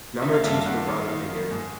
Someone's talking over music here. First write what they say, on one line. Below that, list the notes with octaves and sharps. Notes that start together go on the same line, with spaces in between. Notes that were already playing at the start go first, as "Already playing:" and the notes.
Number of teams per province may vary.
D#3 E5
F5
G2 E5
F5
G2 F#5
D#3
D#3 F5
D#3
G#2